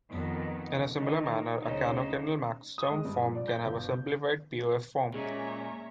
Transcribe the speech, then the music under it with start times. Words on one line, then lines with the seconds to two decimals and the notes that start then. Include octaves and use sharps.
In a similar manner, a canonical maxterm form can have a simplified PoS form.
0.10 F2 D#3 B3
0.98 D#3
1.62 D2 C#3 C#4 D#4 C5
2.78 D#6
2.91 G#3
3.05 G2
3.21 F3
3.35 D5
3.48 G6
3.66 G1
5.14 A#2 G#3 C#4 C#5 E5 A#5